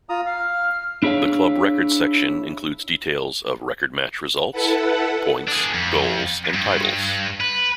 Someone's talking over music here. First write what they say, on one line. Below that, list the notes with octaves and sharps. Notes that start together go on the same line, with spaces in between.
The club records section includes details of record match results, points, goals and titles.
F4 A#5 D#6
F5 F6
D4 E4 G#4 C#5 F5
E4 A4 B4 F#5
D4 G#4
F2
G2
B4